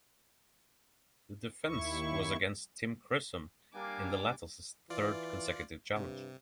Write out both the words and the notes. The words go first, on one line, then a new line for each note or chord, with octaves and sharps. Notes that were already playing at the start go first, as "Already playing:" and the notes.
The defence was against Tim Chisholm in the latter's third consecutive challenge.
D#2 E4 C#6
G3 A#3 D4 G#5 D6
E3 F4 D5
G2 C3